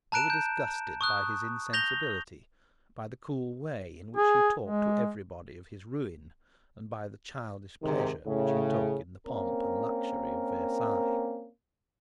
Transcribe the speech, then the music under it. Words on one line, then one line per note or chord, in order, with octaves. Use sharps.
They were disgusted by his insensibility, by the cool way in which he talked to every body of his ruin, and by the childish pleasure which he took in the pomp and luxury of Versailles.
A5 A#5 F#6 D7 E7
G6
C#6 D#6 F#6
G6 A#6 F7 G7
G#4
G#3
G#2 C3 D#3 D#4
A2 C#3
A#3 C4 C#4 A#4